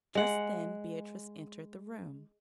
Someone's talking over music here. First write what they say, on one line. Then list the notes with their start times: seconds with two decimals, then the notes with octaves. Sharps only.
Just then Beatrice entered the room.
0.15 G#3 F#5